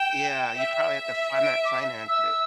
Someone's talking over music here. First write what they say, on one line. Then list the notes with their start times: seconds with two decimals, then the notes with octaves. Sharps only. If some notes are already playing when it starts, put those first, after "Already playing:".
Yeah, you probably have to finan finance it.
Already playing: G5 E7
0.57 E5
1.44 D7
1.65 D6
2.09 E6